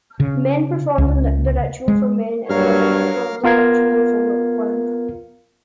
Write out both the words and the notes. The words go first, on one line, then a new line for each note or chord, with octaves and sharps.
Men performed the ritual for men, and women performed the ritual for women.
C#3
C#2
G#3
G2 F#3 A#4 C#5 F5 F6
B3 F4 A#4 F5 G#6